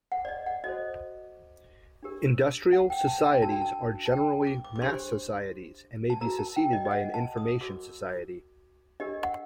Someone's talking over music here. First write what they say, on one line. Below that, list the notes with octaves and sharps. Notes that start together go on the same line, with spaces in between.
Industrial societies are generally mass societies, and may be succeeded by an Information society.
F#5
D5
D#5
F#5
F#4 A4 C5 D#5
D4 G4 A#4
F#5
G5
A5
G5
D4 F#4 A#4 A5
G5
A5
A5
G5
D6
D6
D6
D4 G4 C5 C6
A5
F#4 A#4 A#5
A5
G5
D#5
D#5
F#5
A5
D#6
F#4 A#4 D6
D4 G4 A#4 D#5
F#5